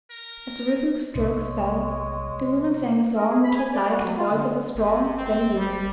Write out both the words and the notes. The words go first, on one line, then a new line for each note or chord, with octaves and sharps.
As the rhythmic strokes fell, the women sang a song which was like the voice of a strong, steady wind.
A#4
B1 C3 G#3 A3 C#5
A#4
G#4
B5
G#5
D5
F#4
F#3
F4
D3
G1 C3
C4
G3